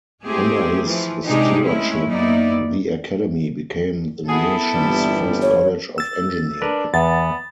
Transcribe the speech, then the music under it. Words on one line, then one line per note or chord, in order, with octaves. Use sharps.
Under his stewardship, the Academy became the nation's first college of engineering.
G#3 A3 C4 E4 G4 G#4
E3 F3
C3 G#3 D4 D#4 G4 G#4
G#3 A3 C4 C#4 E4
F#2 A#3 B3 D#4 E4 D5
B3 E4 F#4 G#4 A4
G1 A#2 E3 G3
C#5
E6 A6
D4 A#4 B4
E2 B3 A6